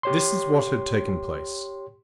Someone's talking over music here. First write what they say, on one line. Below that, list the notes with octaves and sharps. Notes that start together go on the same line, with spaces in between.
This is what had taken place.
G4 C#5 C6